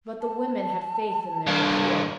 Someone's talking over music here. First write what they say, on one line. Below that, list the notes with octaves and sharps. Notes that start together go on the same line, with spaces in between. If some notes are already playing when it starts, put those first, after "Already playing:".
But the women had faith in their appeal.
A5
G2 A#3